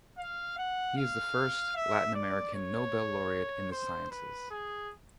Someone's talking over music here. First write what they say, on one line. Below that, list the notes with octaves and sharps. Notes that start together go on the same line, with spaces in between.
He is the first Latin American Nobel laureate in the sciences.
F5
F#5
F5
E5
D5
C#5
C5
B4
G#4